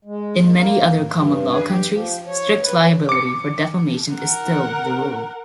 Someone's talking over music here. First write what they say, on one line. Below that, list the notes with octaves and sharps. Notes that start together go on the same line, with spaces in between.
In many other common law countries, strict liability for defamation is still the rule.
G#3
A#3
A2
G2
G4
F3
C#5
B4
D6 C#7
A#4 F#5